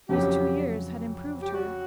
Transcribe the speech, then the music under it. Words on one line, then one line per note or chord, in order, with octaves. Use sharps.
These two years had improved her.
F2 C#3 F#3 G4
G4
F#4